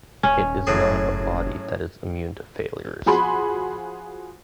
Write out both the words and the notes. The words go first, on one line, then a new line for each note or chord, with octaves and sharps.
It is not a body that is immune to failures.
D#1 C#4
F#1 A2 F#3 G#4
F3 F#4 G#4 B5 C6